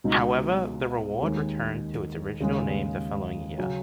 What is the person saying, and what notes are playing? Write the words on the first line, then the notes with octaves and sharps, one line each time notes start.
However, the award returned to its original name the following year.
C#2 B2 G#3 D#4
D#2 D#3 G#3
D#2 C#3 G#3
C#3 F#3 C#4